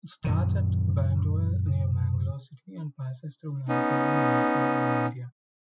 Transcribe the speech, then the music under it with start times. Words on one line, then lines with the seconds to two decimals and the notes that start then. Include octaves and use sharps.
It starts at Bantwal near Mangalore city and passes through Madikeri, Mysore and Mandya.
0.24 F#2 A#2 D#3
3.69 B3 C#4 D#4